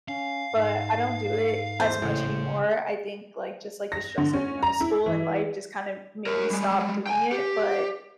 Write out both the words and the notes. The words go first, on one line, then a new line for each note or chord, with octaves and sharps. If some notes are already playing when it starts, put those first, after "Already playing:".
but I don't do it as much anymore. I think, like, just, like, the stress of, you know, school and life, just kind of, made me stop doing it, but
C#4 F5
G#2
E2 C5
A1 A2 C#3
A#6
D3
C#4
A#5
E4
E3
A#4 C#5
G3 G#3
G5 G#5
G4